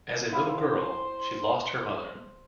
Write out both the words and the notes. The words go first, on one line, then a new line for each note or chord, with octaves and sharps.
As a little girl, she lost her mother.
E4 C5 F5